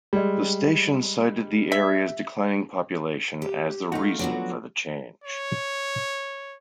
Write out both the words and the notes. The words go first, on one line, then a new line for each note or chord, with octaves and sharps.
The station cited the area's declining population as the reason for the change.
G3 G#3
E5
G4
A3 D#4 F4 F#4 F5
F3 F#3 A3 B3 D4 F#4
C#5